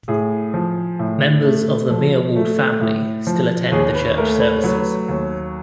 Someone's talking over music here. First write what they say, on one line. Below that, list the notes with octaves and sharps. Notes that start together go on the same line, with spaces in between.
Members of the Meerwald family still attend the church services.
A2 G#4
F3
A2
A3
F3
A3
A2
F3
D#2 G#4
B4
A3 A#4
B4
F#3 B4
D#2